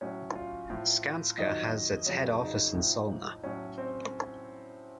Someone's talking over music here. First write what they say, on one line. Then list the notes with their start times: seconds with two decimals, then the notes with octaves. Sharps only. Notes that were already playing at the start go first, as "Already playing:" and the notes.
Skanska has its head office in Solna.
0.01 A2 F#3 C#4
0.35 F4
0.70 A2 F3
1.38 F2 D#3 F#3 D#5
2.06 F2 C#3 F#3 C#5
2.41 D#4
2.74 A2 F3
3.43 A2 F#3 C#4
3.78 C4